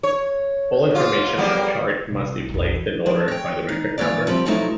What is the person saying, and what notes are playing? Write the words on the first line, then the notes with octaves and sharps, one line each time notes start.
All information in the chart must be placed in order by the Record Number.
C#5
G#2 F4
G3 A#3 B3
C2
A#1 E2
F3 D4
C#5 G5
D#4
E3 A#3 C#5 D5
D#3 F3 G3 C4
B2 F3 F#3 A3 D#4 E4